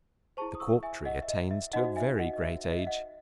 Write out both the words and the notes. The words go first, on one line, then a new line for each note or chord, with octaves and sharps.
The Cork Tree attains to a very great age.
E4 G#4 C5 A5 C#6
D#6
C#6 E6
E5 G#5
D#5 F#5
E5
D#5
E5
D#4 F#4 C5 D#5 F#5
E5 G#5
D#5 F#5
D#5
E5
E5
D#5
E5
D#5 F#5